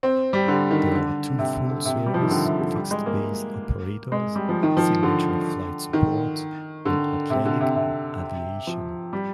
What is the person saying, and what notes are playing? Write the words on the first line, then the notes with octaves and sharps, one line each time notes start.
There are two full-service fixed-base operators, Signature Flight Support and Atlantic Aviation.
C4
G3
D3
D#3
D3
C3
D3
C3
G3
F3
D#3
D3
C3
D3
G3
G#3
A#3
G#3
G3
F3
D#3
F3
D3
D#3
D3
C3
D3
C3
C3
F3
G3